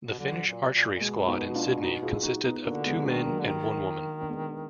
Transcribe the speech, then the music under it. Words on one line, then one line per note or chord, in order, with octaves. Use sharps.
The Finnish archery squad in Sydney consisted of two men and one woman.
B2
D3 F#3
A#2
A#2
A#2
B2 G#3
B3 D#4
D4 F4
D#4 F#4
F4 G#4
D#4 F#4
B3 D#4
D3 A#3 D4
G#3 B3
D#3 A#3 D4
F#3 A#3
D3
D#3
D4
G#3 B3